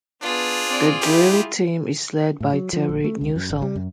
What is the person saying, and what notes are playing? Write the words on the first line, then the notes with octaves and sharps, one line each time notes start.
The Drill Team is led by Terry Newsome.
B3 D4 F4 G#4
C4 D5
E4 G4
A2
F#3
F3
A#1
A3
C#2
F#2
G#1
G3
F#2